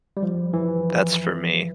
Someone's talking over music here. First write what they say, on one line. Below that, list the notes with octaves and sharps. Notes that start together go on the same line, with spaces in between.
That's for me.
G3
F3
E3